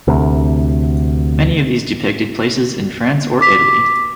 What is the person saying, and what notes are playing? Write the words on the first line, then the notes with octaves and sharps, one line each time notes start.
Many of these depicted places in France or Italy.
D2 C3
D6 B6